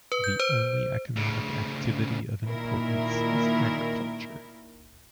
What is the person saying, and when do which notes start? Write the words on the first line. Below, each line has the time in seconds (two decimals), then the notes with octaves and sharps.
The only economic activity of importance is agriculture.
0.12 B4
0.24 G6
0.40 C5
1.16 D2 C#3
2.47 A#2 D#3 E4 A#4